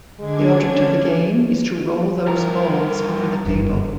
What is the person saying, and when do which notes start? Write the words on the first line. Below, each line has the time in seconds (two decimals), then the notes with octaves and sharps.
The object of the game is to roll those balls over the table.
0.19 D3 G#3 D4 G#6
0.56 C#4
2.27 G2 A#4
3.46 F#1 G2